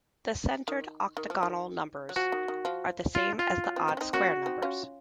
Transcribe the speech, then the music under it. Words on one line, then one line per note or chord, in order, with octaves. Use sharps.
The centered octagonal numbers are the same as the odd square numbers.
D#3
D#3
F3
D#3
F#3
F3 F#4
D#3
D#3
F3
F4
F4
F#3
C4 D#4
C4 D#4
C#4
C4 D#4
A#3 C#4 F#4
C4 D#4
C#4 F4